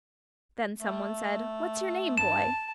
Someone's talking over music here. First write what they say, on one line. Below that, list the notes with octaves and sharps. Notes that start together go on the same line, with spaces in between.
Then someone said, "What's your name, boy?"
A3
G2 A5 E7